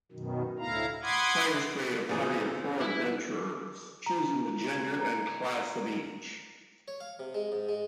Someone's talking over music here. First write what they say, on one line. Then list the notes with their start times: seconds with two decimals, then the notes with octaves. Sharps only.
Players create a party of four adventurers, choosing the gender and class of each.
0.12 F#2 B2 D#3
0.59 D2 A2 E4 F5 A#5
1.03 F#5 B5 C6 D6 D#6 G#6
2.09 C#2 F#2 A#2 E3 C4 G#4
2.81 E3 E4
4.06 A#5
4.70 G#6
5.01 A#5
6.88 C#5
7.00 F5
7.19 C3
7.34 G#3
7.52 G#2
7.69 G#3